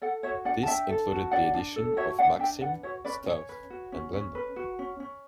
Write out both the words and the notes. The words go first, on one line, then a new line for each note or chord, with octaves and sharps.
This included the editions of "Maxim", "Stuff" and "Blender".
A4 D5 F#5
F#4 C#5 E5
D4 D5 F#5
A5
D4 E5 G5
A4
F#4
D4 D5 F#5
D4
A4
F#4 C#5 E5
D4 D5 F#5
D4 E5 G5
B4 D5 F#5
F#4 C#5 E5
C#4 B4 D5
C#4 C#5
B4
F#4
C#4
C#4
B4
F#4
C#4
C#4